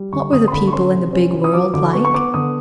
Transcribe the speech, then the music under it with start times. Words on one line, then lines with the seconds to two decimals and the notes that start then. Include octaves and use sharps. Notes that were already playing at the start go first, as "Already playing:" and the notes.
What were the people in the big world like?
Already playing: G3
0.13 D3 C#6
0.32 D3 D#6
0.48 C6
0.52 D3 B5
0.68 C#6
0.73 C#4 C6
0.94 C3
1.13 C#4
1.33 F3
1.44 D#6
1.53 F#3 D6
1.74 D3 D6
1.93 B3 C#6
2.05 C#6
2.14 B3 D6
2.34 D3 D#6